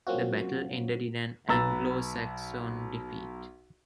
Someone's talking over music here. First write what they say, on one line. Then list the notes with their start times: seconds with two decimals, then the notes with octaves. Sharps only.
The battle ended in an Anglo-Saxon defeat.
0.07 F#3 A#3 C4 C#4 F4 F#4
1.49 B1 B4 A#5 E6 A6